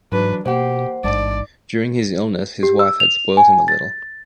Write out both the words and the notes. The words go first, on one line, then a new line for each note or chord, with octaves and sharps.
During his illness his wife had spoilt him a little.
G#2 E3 F#3 D4 B4
B2 A#3 G4 C5 F#5
A1 G#2 D4 D5 A5
G4
E6
F7
G#5
A6